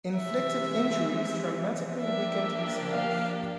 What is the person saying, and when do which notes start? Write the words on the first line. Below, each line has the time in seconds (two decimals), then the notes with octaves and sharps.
Inflicted injuries dramatically weakened his health.
0.17 C3 E3 G#3 E5
2.01 F3 A#3 D4 G4 E5
2.93 F5